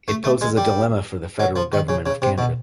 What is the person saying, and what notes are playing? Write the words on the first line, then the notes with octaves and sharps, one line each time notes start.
It poses a dilemma for the federal government of Canada.
A3
A3
G#3
G3
F#3
F3
D#3
C#3
C#3
C3
B2